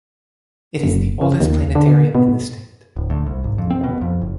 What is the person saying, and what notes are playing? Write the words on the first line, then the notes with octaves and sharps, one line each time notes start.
It is the oldest planetarium in the state.
F#1
C#3
D#2
D3
B2
D1
D2
C2
G#1
F2
C4
B2
F2
F#1